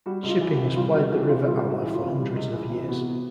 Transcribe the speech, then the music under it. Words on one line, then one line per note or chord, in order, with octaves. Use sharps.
Shipping has plied the river Aller for hundreds of years.
G3 F#4
C#2
F4
E3
F#4
C3
G3 F4
C#2 F#4
E3 F#4
C3 F4
G3 F4
C#2
F#4
E3
F4
C3
G3
C#2
E3
C3
B3 F#4